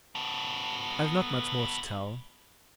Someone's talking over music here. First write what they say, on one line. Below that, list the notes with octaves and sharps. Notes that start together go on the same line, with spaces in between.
I have not much more to tell.
B3 A4